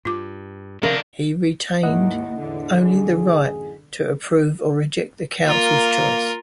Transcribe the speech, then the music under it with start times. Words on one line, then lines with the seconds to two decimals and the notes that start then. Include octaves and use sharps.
He retained only the right to approve or reject the council's choice.
0.05 G2 F4 D6
0.83 C3 D#3 F3 C#4 D4 A#4 E5 F5
1.83 D#2 G#2 E4 D#5 F#5
2.41 E2 A2 D3
2.82 A1 F#2 G#4
5.46 A#3 F4 A#4